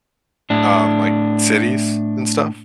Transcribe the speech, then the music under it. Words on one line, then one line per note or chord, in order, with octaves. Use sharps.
um, like, cities and stuff
A2 D4